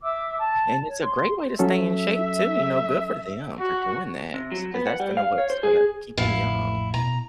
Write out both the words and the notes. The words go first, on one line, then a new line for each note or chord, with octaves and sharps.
And it's a great way to stay in shape too, you know, good for them for doing that, so 'cause that's gonna what's gonna keep ‘em young.
E5 D6 E6
A5
C#5
C6
F#3 C#4 A4 E5
F#4
C3
F#3
B3
F#5
G3
F5
C#5
C5
G#4
A1 F2 A2 E4 F5
B2 A#5